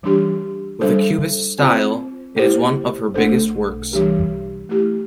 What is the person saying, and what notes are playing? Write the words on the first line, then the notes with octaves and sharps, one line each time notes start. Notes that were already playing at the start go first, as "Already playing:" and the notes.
With a cubist style, it is one of her biggest works.
E3 G3 D4 G4
G3 D4 A4 C5
C4 F4 C5
A#3 E4 G4 C5
A3 D4 A4 C5
E3 G3 D4 G4 A#4
A3 E4 G4